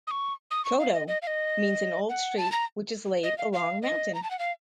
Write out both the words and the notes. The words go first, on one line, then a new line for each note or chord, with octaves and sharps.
"Kodo" means an old street which is laid along mountain.
D#6
C#6
D#6
C#6
F5
D#5
D#5
F5
D#5
F#5
A5
A#5
D#5
F5
F5
D#5
A#5
A5
F#5
F5